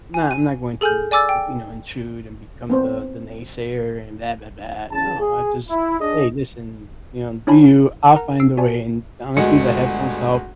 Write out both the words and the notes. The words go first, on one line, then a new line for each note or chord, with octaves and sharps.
Nah, I'm not going to in you know, intrude and become the the naysayer and, blah, blah, blah, no, I just "Hey listen, you know, do you, I'll find a way," and honestly the headphones help,
G#5
D#7
G#4 A4 G#5 F6 G6
D5 G#5 D6 E6 A6
G5
B3 C4 C5
E2 C#3 A5
G#4
E4
D4 G#4 D#5
D4 E4 C#5 G#5 A5 B5
A#4 F#5 A#5
E6 C7 D7
F#4 D5 G#5 A5
G1 D2 G#3 F#4 G#4 C#7